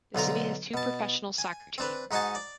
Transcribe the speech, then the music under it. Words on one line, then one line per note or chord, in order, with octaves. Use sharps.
The city has two professional soccer teams.
B1 D3 F4 A#5
B2 A5
G#5
C4 D4 B4
G#2 D#4 F#4 D#5 G#5 A5
D5